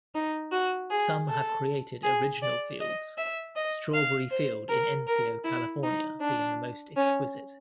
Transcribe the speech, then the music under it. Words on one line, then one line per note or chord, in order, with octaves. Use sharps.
Some have created original fields, Strawberry Field in Encino, California being the most exquisite.
D#4
F#4
G#4
A4
G#4
D5
D#5
E5
D#5
F5
C5
A#4
A#4
E4
D#4
D4
C#4